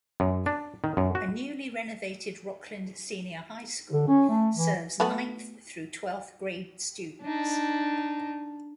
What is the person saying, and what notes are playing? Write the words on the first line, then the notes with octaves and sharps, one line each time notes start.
A newly renovated Rockland Senior High School serves ninth through twelfth grade students.
F#2
D4
D#3
F#2
F#4
D3
C#4
A3
E3
A3 B3 F#4
D4 D#4